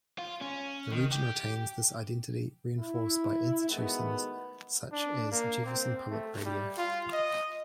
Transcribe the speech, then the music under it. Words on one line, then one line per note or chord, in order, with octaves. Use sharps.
The region retains this identity reinforced by institutions such as Jefferson Public Radio.
F4
C#4
D#3
G4
E4
B2 D#3 G#3 A3 B3
D4
A#3
C4
A3
G3
F4
D#5